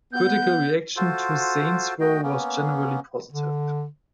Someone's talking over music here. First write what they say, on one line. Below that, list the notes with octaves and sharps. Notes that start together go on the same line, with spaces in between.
Critical reaction to "Saints Row" was generally positive.
B3 F#5 G6
F4 F#4 A4 C5
A3 F#4 D#5 G5
A#3 B3 C#4
D3